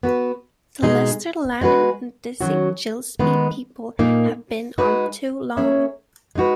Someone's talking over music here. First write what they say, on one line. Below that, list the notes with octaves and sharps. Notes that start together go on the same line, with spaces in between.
The Lester Lanin and Dizzy Gillespie people have been on too long.
B3 F#4 B4
B2 G#3 D#4 G#4 D#5
G#3 B3 F#4 B4
D#3 F#3 C#4 F#4
D#3 G#3 B3
A#2 A#3 D#4
G#3 D#4 F#4 B4
A#3 C#4 G#4 C#5 E5
G#3 D#4 F#4 B4